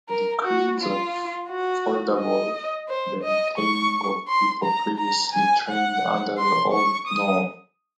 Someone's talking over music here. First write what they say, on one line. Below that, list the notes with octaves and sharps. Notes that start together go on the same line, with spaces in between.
The decree forbade the retraining of people previously trained under the old norm.
A#4
F#4
F4
F#4
D#5
C5
D#5
C#6
C6
A#5
A#5
G#5
F#5
C6
C#6
D#6